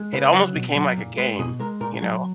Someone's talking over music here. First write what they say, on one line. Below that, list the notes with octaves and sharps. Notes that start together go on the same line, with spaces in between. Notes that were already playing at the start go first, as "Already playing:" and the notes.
It almost became like a game, you know?
Already playing: G#3
C#3 B4
F#3
B2
F#3
A#2
G#3 B4
B2 G#4
G#3 A#4
A#2 A#4
F#3 G#4